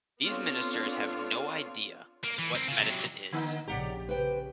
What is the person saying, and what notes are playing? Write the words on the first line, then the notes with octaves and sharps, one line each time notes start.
These ministers have no idea of what medicine is.
B3 C4 D4 F4 A4 C#5
A#3
E3
C4 A#4
C#3 F4
C3 F#3
D3 A#3 D#4
A#1 C#3 G4 D5 F#5 A#5
C#3 B4 C5 G5